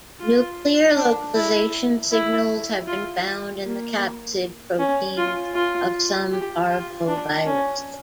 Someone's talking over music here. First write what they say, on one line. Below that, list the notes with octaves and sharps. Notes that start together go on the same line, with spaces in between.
Nuclear localization signals have been found in the capsid proteins of some parvoviruses.
F4
D4
E4
E4
F4
A#3
C#4
F4
F4
G4
F4
D4
C#4